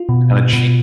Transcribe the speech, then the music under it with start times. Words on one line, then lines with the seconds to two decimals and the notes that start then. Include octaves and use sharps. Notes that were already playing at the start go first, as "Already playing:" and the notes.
Kinda cheek.
Already playing: F4
0.09 B2
0.31 B2
0.53 B2